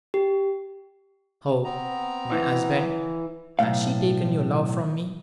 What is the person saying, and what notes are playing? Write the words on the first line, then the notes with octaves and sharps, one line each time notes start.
"Oh, my husband, has she taken your love from me?"
G4
B3 C4 A#5
E3
B1 F2 A2 F5